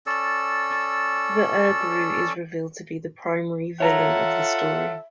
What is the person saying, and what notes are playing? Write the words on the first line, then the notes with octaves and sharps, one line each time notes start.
The Ur-grue is revealed to be the primary villain of the story.
C#4 A4 D5 E6
F4 A4 C#5 E5 F#5 A5 A#5